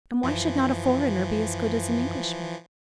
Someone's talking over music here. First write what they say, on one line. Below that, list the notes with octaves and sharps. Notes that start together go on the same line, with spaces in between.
And why should not a foreigner be as good as an Englishman?
F#2 E3 F3